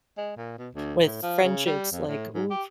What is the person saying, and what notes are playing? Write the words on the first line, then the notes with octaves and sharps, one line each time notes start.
with friendships, like, "oof."
G#3
A#2
B2
D2
A2
F3
C#3
G3
F2
A2
G#2
G4